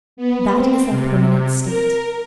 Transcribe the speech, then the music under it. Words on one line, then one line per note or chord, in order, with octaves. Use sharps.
That is our permanent state.
B3
C4
C3
A#4